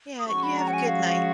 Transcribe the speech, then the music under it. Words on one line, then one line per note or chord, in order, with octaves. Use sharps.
Yeah, you have a good night.
D#6
F3 G#3 C#4 F#4 C#6
B5
A#5
F#5
G#5
F5